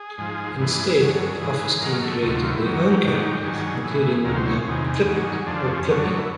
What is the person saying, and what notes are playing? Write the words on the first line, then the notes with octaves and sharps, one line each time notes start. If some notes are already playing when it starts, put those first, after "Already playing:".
Instead the Office team created their own characters including one dubbed "Clippit" or "Clippy".
Already playing: G#4
G#2 F3
G2 E3 G#4
G2 D3 F#3
G#2 E3
G#2 D#3 F#3 A#4
A4
D2 C3 D#3 F#3 A4
F4
E4
F#2 D#3 F#3 G4
G#2 D#3 F#3
G2 D#3 F#3 G#4
A2 E3
D2 C3 D#3 F#3 A#4
C5
C#5
G#4
E2 C3 D#3
G2 D#3 F#3
F2 D3 F3 D4
C#4
F#2 D3 F#3
D4
D#4
E4